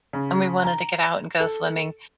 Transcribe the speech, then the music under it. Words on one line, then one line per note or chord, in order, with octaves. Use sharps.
and we wanted to get out and go swimming,
C#3
A#5
A4